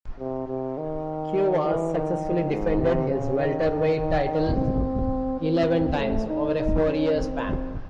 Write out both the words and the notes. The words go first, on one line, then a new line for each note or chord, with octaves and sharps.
Cuevas successfully defended his welterweight title eleven times over a four-year span.
C3
C3
D#3
E3
D#3
G#2
C3
C#3
D#3
D#3
D#3
C4
C4
C4
A3
D#4
D#4
C#4
C4